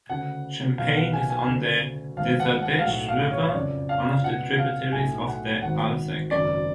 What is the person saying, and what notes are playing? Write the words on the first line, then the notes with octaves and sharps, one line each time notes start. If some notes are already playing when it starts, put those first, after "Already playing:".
Champagne is on the Dezadeash River, one of the tributaries of the Alsek.
D2 C#3 F#5
B1 B2 F5
F#5
G#5
G#5
D2 C#3
G#1 G#2 F5
F#5
F#5
F5
B1 A2 F#5
F5
C#5
F#1 F2 C#3 D5
F5
C#2 B2 F#5
F5
B1 A2 G#5
F#5
G#1 G#2 F#5
G#1 F#2 C#3 D5